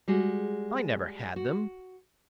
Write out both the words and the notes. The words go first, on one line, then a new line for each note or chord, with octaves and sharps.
"I never had them!"
G3 G#3 F#4 G#4
F#4